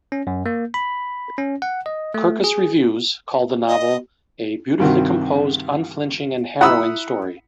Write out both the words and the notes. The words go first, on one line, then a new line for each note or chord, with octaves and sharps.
"Kirkus reviews" called the novel a "beautifully composed, unflinching and harrowing story".
C#4
F#2
A#3
B5
C#4
F#5
D#5
A3
G#4
D#5
G2 C3 D#3 C4 F#4
E4 F#5 A#5 B5 D#6 E6